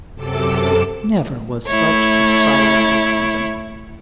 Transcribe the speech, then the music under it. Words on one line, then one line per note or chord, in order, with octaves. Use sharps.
Never was such a sorrowful company.
F#2 C3 A4 D6 E6
A3 E4 C#5